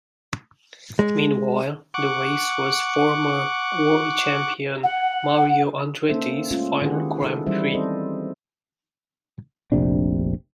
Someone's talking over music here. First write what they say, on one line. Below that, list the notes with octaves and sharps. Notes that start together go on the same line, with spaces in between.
Meanwhile, the race was former world champion Mario Andretti's final grand prix.
G#3
F#5 C#6 D6
F#5
A#3 C#4 A4 C5 E5
G#3 A3 C#4 F4
D#3 E4 G4 G#4 B4 F#5
D#4 G#4 A4
E3 G3 C#4 E4 C5 E5
C4 A4 C5 D#5
F1 A#1 C3 D4